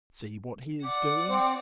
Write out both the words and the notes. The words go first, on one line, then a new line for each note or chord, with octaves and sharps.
See what he is doing.
D5 F#5 D6
C4